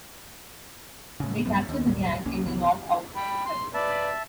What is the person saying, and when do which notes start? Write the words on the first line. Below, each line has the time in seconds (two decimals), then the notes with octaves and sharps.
They capture the gang in an all-out fight.
1.20 A2 C#3
1.46 B1 G2 F#3 B3
1.69 D#2
1.86 G#1 D#2 A#2 G3
2.25 C2 A#3 C#4
2.45 F1 C2 E3 B3
3.16 G5 B5
3.46 C6
3.74 B4 D5 E5 A5